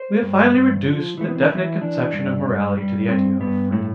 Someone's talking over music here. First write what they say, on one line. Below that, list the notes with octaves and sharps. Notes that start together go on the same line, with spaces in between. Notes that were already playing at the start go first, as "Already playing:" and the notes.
We have finally reduced the definite conception of morality to the idea of freedom.
Already playing: C5
G2
G2
F3
E3 A3
B3
C4
D4
E3 E4
E3 D4
G2
G2
G3
G2 C4
G2 B3
A2 A3